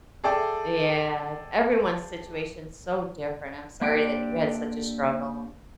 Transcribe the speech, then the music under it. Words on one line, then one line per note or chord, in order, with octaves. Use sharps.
Yeah. Everyone's situation's so different, I'm sorry that you had such a struggle.
G#4 A4 D5 E5 G5
A#3 C4 D4 G4 D5 G5